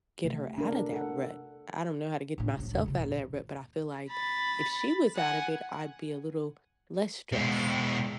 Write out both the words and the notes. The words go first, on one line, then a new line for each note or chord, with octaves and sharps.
get her outta that rut. I don't know how to get myself out of that rut, but I feel like, if she was out of it, I'd be a little less stressed.
C3 A3
D4 A#4
A4
A4 F#5
A2 D4
A#1 F#3
E2 C#3
C#3 E3
A#2
B5 A6
F#5 G#5
B2 G#3